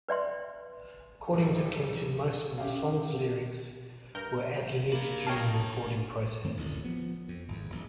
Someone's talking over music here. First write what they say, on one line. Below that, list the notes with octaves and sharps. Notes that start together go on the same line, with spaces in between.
According to Clinton, most of the song's lyrics were ad-libbed during the recording process.
B4 D5 E5 C6
D1 D#3 G3 A4 A#4 C#5
C#4 G4 E5 F5
G2 A#4 G6
A#3 D4 B5
C#5 D#5 F5 G5 A5
F#2 D#3 A3 C4
A1 D2 A#2 D#3
F3 B3
F2
G#1 E2
D#1 A#1